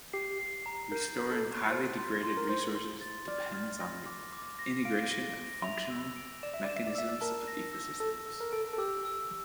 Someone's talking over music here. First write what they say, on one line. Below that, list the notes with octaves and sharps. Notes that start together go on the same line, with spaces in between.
Restoring highly degraded resources depends on integration of functional mechanisms of ecosystems.
G4 C7
C7
A#5
A#4 G6
G6
A4
D6
C5 A6
C6
C6
A#4
C5 C6
C6
A6
D5 F6
F6
A#6
D6
D6
A#6
F5 D7
A#6
A#6
E5 F7
E6
D7
D5 E7
E5
D5 E7
E5
D5
E5 E6
D5
A#4 A5
A#6
E6
A4 E6
E6
A#4
A4 D7
A4
G4 E6
E6